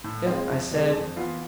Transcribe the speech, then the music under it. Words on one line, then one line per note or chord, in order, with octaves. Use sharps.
"Yep," I said.
A2
G#3 C4 F4
F2
C3 G#3 D4 G#4
F2
E3 B3 F4